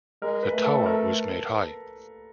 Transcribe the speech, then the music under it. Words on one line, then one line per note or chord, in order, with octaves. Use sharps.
The tower was made high.
G#3 A#4
B4
A3
A4
A#4